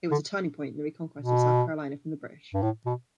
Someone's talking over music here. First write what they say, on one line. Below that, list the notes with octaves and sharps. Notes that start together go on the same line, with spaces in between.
It was a turning point in the reconquest of South Carolina from the British.
D3
B2
G2
A2
B2